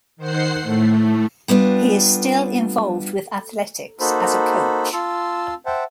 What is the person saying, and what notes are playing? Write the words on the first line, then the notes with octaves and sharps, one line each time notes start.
He is still involved with athletics as a coach.
D#3 C5 F#5 C7
A2 A3
G3 B3 D4 F4
A#3 D#4 F#4 A4 C5 B5
F4 A5 C6 E6
C5 E5 F#5 G5 A5